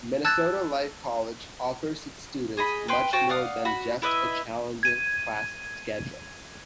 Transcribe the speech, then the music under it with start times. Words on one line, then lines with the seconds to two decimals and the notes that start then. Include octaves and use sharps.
Minnesota Life College offers its students much more than just a challenging class schedule.
0.25 A5 E6 F#6 G#6 A6
2.57 G#4 D#5 B5
2.88 B4 G5 C6
3.13 F#4 C5 G5 A5
3.29 D5 F5 F#5 D#6
3.65 F#4 B5
4.02 E4 B4 D#5 E5
4.83 G#6 D#7